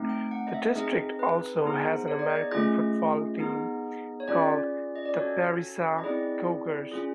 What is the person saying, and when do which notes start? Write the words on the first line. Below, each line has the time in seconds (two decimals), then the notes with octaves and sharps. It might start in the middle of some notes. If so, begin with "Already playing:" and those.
The district also has an American football team called the Berryessa Cougars.
Already playing: A3 C4 D#4
0.09 G5
0.31 F#5
0.47 D#5
0.54 E5
0.75 C4 D#4 G#4 D#5
1.19 B4
1.64 B3 D#4 G#4
1.85 C5
2.08 C#5
2.19 D5
2.30 D#5
2.51 A3 C#4 F4 G#4 D#5
3.39 B3 D#4 G#4
4.20 C#5
4.27 C#4 F4 G#4 D5
4.96 D#5
5.06 D5
5.15 C#4 F#4 A4 C#5
5.98 D#5
6.04 C4 E4 G#4 D5
6.91 C#4 F4 G#4